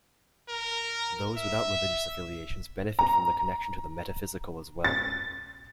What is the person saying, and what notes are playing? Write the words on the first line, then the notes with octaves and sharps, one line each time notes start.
Those without religious affiliations benefit from the connection to the metaphysical as well.
A#4
E5
A#5
A6